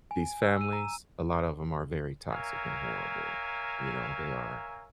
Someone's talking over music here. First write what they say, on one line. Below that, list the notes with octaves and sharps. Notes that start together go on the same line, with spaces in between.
these families, a lot of them are very toxic and horrible, you know? They are.
G#5
E6
D#7
A#5
A#4 C#5 E5 F5 G#5 A#5